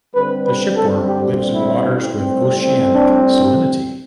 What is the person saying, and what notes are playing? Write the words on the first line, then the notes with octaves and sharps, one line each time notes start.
The shipworm lives in waters with oceanic salinity.
D3 G3 C4 B4
B4
A4
G4
E4
A2 G3 C4
D4